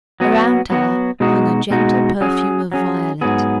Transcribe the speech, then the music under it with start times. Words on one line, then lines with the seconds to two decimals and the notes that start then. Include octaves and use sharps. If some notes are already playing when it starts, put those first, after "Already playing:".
Around her hung a gentle perfume of violet.
0.20 F#3 B3 F#4
0.70 F#3 B3 F#4
1.20 B2 G#3 D#4 F#4
1.70 B2 G#3 D#4 F#4
2.21 F#3 C#4 G#4
2.72 F#3 C#4 G#4
3.21 G#2 F#3 B3 G#4